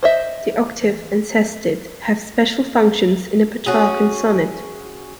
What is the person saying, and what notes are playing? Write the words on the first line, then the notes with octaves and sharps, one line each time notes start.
The octave and sestet have special functions in a Petrarchan sonnet.
C5 D#5 E5
C#4 F#4 G#4